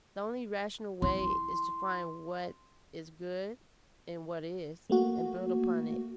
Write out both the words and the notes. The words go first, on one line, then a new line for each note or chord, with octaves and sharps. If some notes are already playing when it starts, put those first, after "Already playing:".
The only rational way is to find what is good in what is, and build upon it.
E4 C6
A3 A#3 F#4